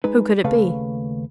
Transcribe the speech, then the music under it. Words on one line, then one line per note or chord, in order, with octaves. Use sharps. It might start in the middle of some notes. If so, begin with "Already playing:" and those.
Who could it be?
G#3 D#4 B4
D#2 C#3 A3 B4 C#5 F5